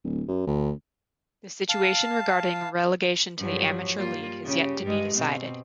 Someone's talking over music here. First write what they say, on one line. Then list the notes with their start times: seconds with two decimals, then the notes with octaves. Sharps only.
The situation regarding relegation to the Amateur League has yet to be decided.
0.04 D1
0.28 F#2
0.47 D2
1.69 F5 A5
3.38 G2 F3 F#3
3.97 G3 A#3 F4
4.44 C#3 G4
4.83 G2 G#3
5.15 B2 C4